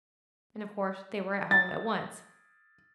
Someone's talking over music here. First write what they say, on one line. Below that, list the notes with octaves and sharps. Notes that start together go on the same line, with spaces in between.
And, of course, they were at home at once.
A6